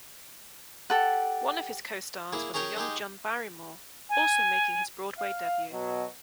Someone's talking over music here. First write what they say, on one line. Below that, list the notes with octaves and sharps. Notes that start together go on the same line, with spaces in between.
One of his co-stars was a young John Barrymore, also making his Broadway debut.
G4 A4 F#5
A#3 E4 G#4
C#4 G#4 A#4 C#5 G5
G#3 D#4 G4 G#4
G#5
F5
B2 F#3